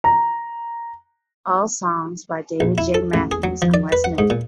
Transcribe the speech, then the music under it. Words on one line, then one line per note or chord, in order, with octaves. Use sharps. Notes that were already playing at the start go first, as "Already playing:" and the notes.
All songs by David J. Matthews unless noted.
A#5
A#1
E4
A4
A1
G#4
F#3
F3
D5
B4
F#5
G#2
A#2